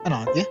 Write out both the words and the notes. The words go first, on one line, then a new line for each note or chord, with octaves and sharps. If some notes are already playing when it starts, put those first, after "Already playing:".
And aren't you?
Already playing: A4
C5